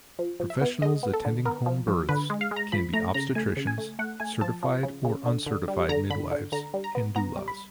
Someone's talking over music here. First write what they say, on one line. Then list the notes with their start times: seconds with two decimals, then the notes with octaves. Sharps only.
Professionals attending home births can be obstetricians, certified or uncertified midwives, and doulas.
0.19 F3
0.40 F3
0.50 E5
0.61 B3
0.82 G#3 D#5
1.03 B3
1.13 A4
1.25 D3
1.45 B3 A#4
1.66 F3
1.88 F3
2.09 D3 B4
2.30 G#3
2.41 F5
2.51 G#3
2.56 A#5
2.72 F3 B5
2.93 A3 A#5
3.14 C#3 A#5
3.35 A3 G#5
3.57 C#3
3.67 G#5
3.78 A3
3.99 A3 F#5
4.20 A3 G#5
4.41 F3 A5
4.63 F3
4.83 C#3
5.05 C#3
5.26 D3
5.46 D3
5.68 G3
5.89 D3 A#5
6.10 D3 B5
6.31 D3
6.52 D3 A#5
6.74 G3
6.84 A#5
6.95 B3
7.16 B3 A#5
7.37 G3
7.48 B5